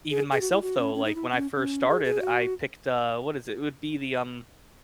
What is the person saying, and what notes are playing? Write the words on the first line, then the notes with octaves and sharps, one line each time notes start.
even myself though, like, when I first started, I picked, uh what is it? It would be the, um,
G#4
G#4
F#4
E4
F#4
C#4
C#4
D#4
E4
C4
C#4
C#4
G#4
G#4
F#4